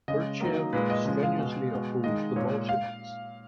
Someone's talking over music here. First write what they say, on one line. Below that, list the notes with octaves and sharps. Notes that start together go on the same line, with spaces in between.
Burtsev strenuously opposed the Bolsheviks.
C#3 G#3 D#5
D#3 F#3 A#3
A#2 G#3 B4
D#5
C#3 F3 G#3
F5
B2 G#3
B2 G#3
D#3 G#3 D#5
A#2 G#3 C#5
F5